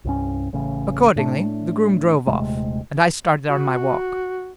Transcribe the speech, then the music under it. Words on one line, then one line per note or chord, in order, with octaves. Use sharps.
Accordingly the groom drove off, and I started on my walk.
C2 G2 C#4
A1 A2 C#3
A2 A3 D4
D#1 C3 G#3 A3
F#4